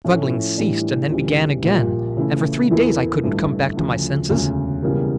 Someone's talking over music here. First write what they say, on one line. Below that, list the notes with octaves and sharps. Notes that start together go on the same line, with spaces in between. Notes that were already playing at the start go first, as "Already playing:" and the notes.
The struggling ceased and then began again, and for three days I couldn't come back to my senses.
A2 F3 A3 C#4
A2 E3 G3 D4
D2 C#3 E3 G3
A#1 A#2 G3
C#3 E3 A3 E4
E2 E3 A#3 E4 A4
A1 G2 D3 A3 E4
D2 C#3 F3
E1 D2 C#3
E1 E2 C#3 G3 A#3